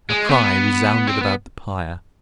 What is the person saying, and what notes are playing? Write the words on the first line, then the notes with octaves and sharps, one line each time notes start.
A cry resounded about the pyre.
G#3
B3
C4
B3